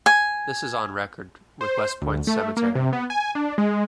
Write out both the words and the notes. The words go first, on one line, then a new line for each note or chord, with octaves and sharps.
This is on record with West Point's cemetery.
G#5
C5
D2
A3
A#3
C3
B3
G#5
D4
G#3